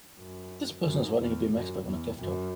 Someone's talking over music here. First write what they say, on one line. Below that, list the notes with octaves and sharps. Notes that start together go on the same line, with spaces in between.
This person is riding a BMX bike on a clifftop.
F#2
F#2
E2
F#2
E2
F#2